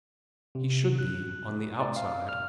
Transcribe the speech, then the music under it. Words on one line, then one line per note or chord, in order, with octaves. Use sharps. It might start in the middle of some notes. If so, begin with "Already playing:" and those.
He should be on the outside.
C3
F#6
D5
F5
F6